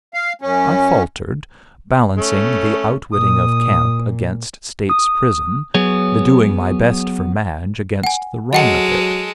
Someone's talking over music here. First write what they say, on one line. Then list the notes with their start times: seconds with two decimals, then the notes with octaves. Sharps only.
I faltered, balancing the outwitting of Camp against State's prison, the doing my best for Madge against the wrong of it.
0.14 F5
0.42 F#2 C#4
2.18 A3 C#4
3.14 A#2 D#6
4.90 D#6
5.74 F#3 B3 G#4 C#5
8.03 F#5 G#5
8.53 F#3 G#3 A4 D#5 F#5 C#7